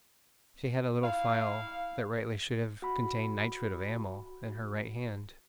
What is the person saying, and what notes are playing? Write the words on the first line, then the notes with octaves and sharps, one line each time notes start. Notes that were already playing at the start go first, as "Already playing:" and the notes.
She had a little phial that rightly should have contained nitrate of amyl, in her right hand.
E4 F5
F#4 B5